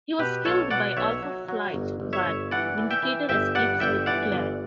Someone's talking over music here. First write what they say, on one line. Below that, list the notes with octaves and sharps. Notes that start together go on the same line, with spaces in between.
He was killed by Alpha Flight but Vindicator escapes with Claire.
B2 G4 B4
B1 A4 C#5
B2 D5 F#5
B1 C#5 E5
F#3
F#3
G1
G1
C#5 E5
G1
E3 D5 F#5
E3
E5 G5
E3
G1 E5 G5
G2 D5 F#5
G1 E5 G5
E3 D5 F#5
G1